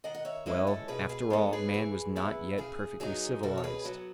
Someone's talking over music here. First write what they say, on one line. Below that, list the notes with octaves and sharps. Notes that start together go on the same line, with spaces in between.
Well, after all, man was not yet perfectly civilised.
D#3 D#5 F#5
F#5
C#5 E5
G#3 C#4 E4 B4 D#5
A4 C#5
B2 G#4 B4
G#4 B4
G#3 B3 A4 C#5
G#4 B4
E3
B3 E4
C#3 G#4
F#3 B3 D#4 G#4
B2 F#4 A4
C#5
G#4 B4
F#3 B3